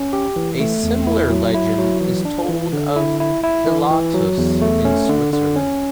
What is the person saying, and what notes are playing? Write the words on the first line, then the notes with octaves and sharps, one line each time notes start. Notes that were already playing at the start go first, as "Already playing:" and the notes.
A similar legend is told of Pilatus in Switzerland.
Already playing: C#4
G4
E3
A3
E2
E4
F#3
E4
F#3
E3
D4
E3
D3
E4
E4
E4
E3
E3
F#3
E2
A3
C#4
D3
D3
C#4